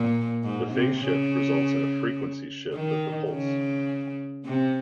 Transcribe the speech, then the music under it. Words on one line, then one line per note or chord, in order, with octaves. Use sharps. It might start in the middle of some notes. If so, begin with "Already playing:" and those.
The phase shift results in a frequency shift of the pulse.
Already playing: A#2
G#2
C3
C#3
D#3
C#3
C3